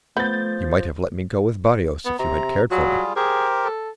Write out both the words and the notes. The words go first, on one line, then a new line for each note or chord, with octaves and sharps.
You might have let me go with Barrios if you had cared for me.
F3 A3 B3 G6 A6
B3
C3 A#5
F#3 G3 F4 G#4
G4 G#4 A#4 C5
A4